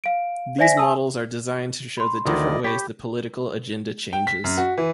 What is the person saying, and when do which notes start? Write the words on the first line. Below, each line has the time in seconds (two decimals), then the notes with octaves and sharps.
These models are designed to show the different ways the political agenda changes.
0.04 F5 D7
0.58 C5 D5 E5 G#5 A#6 B6
0.77 G#5 A5 D#6 E6
1.98 B5 C6
2.26 D2 D#3 E4 D5 D#5
2.64 G4 C#5 B5 B6
4.13 G5
4.27 B6
4.44 F#2
4.58 F#4
4.77 E3